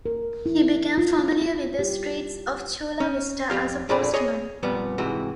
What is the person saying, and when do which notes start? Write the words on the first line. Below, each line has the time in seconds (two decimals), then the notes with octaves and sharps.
He became familiar with the streets of Chula Vista as a postman.
0.06 A#4
0.46 E4
0.98 F4
1.79 G4
3.00 C#4
3.50 F2 C#3 G4 F5
3.89 F2 A#2 D3 G#4 D5 B5
4.13 G#4 C#5 D#5
4.63 F2 A#2 G3 B3
4.98 G#2 C3 E3 F#4